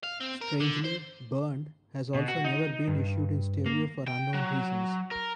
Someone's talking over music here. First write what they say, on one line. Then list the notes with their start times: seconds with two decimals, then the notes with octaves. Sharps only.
Strangely, "Burned" has also never been issued in stereo for unknown reasons.
0.03 F5
0.20 C4
0.41 A#4
0.60 D3
0.84 C5
2.14 B2
2.28 F#4
2.44 D#4
2.88 G2
3.66 A#3
4.08 G5
4.34 F#3
5.11 A#4